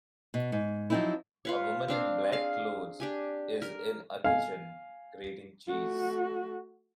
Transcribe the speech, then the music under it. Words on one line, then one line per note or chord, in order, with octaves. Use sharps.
A woman in black clothes is in a kitchen, grating cheese.
B2
G#2
F3 F#3 A#3 C4 D#4 E4
F4 B4 C#5
C4 D4 F5
G#4 F5
D4 G4 G#5
A#4
F5 G#5
A3 F#4